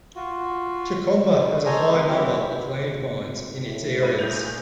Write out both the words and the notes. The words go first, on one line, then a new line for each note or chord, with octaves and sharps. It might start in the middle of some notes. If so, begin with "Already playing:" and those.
Chikomba has a high number of land mines in its areas.
F4 F#4
D3 D#3 G3
A4 C5 C#5 D#5 G#5 A#5
G#3 A#3 C4 D#4 F4
F#3 C4 E4 G4
G#1
A2
G2 B4 D#7
A#1 G6 F7